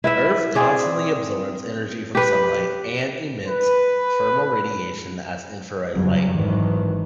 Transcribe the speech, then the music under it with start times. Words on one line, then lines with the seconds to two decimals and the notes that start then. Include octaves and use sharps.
Earth constantly absorbs energy from sunlight and emits thermal radiation as infrared light.
0.04 E4 B4 E5
0.55 C4 G#4 D5
2.15 G4 B4
3.48 B4
5.94 G1 F2 C#3 F#3 G3
6.31 G#1 D#3 E3 F#3